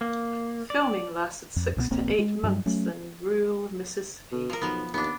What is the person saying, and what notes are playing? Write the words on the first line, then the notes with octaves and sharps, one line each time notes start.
Filming lasted six to eight months in rural Mississippi.
A#3
D5
F2
C2 B2 G#3 B3
D1 A#1 A#3 C4
G#3
G2 F#3 G3
F#3 A3 C#4
B2
F3 A#4
B1 F3 B3
D#2 B3 D4